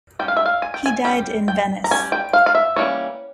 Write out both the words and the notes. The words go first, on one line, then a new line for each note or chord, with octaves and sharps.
He died in Venice.
G3 C#4 G5
F5
E5
F5
G#5
G5
G#5
G3 C#4 G5
G5
A#5
G3 C#4 G#5
G5
F5
F5
E5
E3 G3 A#3 C#4 C#5